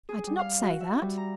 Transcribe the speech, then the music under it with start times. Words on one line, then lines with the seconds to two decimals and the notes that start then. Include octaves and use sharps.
"I did not say that."
0.09 G#4
0.27 G3
0.39 F5
0.62 F#4
0.80 E5
1.02 G3
1.17 A#5